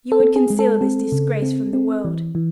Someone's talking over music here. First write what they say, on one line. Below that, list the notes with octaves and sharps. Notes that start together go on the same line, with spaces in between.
You would conceal this disgrace from the world.
A4
C4
G#4
G#3
A4
C4
C#3
C4
C4
E3
E3